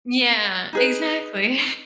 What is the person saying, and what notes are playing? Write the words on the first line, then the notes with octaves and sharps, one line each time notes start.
Yeah, exactly.
D#4 G#4 B4